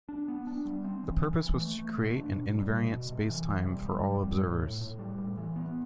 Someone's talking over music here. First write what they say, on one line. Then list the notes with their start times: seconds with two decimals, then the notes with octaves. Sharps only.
The purpose was to create an invariant spacetime for all observers.
0.09 D4
0.28 B3
0.47 D4
0.65 G3
0.85 C4
1.03 E3
1.22 E3
1.41 E3
1.60 A3
1.79 A3
1.98 B2
2.16 D4
2.36 B2
2.55 G3
2.73 B2
2.93 B2
3.11 C3
3.30 E3
3.49 C3
3.67 G3
3.86 G3
4.05 G3
4.23 A2
4.42 A2
4.62 A2
4.81 A2
4.99 G3
5.18 A2
5.37 E3
5.56 B3